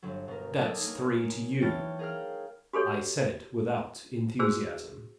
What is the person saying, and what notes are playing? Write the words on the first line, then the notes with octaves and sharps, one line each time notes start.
"That's three to you," I said without enthusiasm.
G1 F#3
B2 A#4
F#3 A#3 A4 D5 D#5
A#3 D#4 G#5
E3 C#5 G5 A5 F6 A6
G#4 A#4 F5 G5 F6
F#4 G4 A4 C#5
F#4 G#4 C5 E6